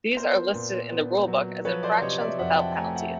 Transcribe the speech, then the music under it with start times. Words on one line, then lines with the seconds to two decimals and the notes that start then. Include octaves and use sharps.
These are listed in the rule book as infractions without penalties.
0.17 B3 A#4 C5
0.54 A#2
0.91 B3
1.28 F#3
1.65 F3 B4 C#5
1.83 C5 D5
2.02 C3 C#5 D#5
2.20 D5 E5
2.39 F2 E5 F#5
2.58 G5 A5
2.76 A3 G#5 A#5
2.95 E5 F#5